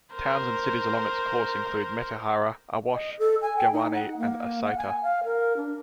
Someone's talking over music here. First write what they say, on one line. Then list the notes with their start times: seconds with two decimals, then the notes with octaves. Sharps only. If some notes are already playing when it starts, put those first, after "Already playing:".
Towns and cities along its course include Metehara, Awash, Gewane and Asaita.
0.14 A#4 C5
2.93 D#5
3.19 A4
3.42 G#5
3.57 G5
3.73 D#4
3.94 F#5
4.18 A#3
4.65 F#5
4.78 G#5
5.03 F5
5.24 A#4
5.57 D4